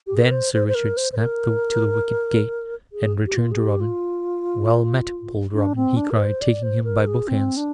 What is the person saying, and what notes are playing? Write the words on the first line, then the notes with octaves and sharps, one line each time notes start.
Then Sir Richard snapped to the wicket gate, and returned to Robin. "Well met, bold Robin," he cried, taking him by both hands.
G4
G#4
A#4
C5
C5
C5
A#4
C5
C5
A#4
G#4
G4
F4
G#4
G4
F4
D4
C4
D4
A#4
C5
D5
C5
A#4
G#4
C4
D4